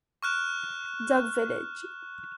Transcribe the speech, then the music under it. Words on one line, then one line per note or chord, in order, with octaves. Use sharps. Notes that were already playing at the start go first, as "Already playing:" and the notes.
Duck Village.
C#6 F6 F#6 E7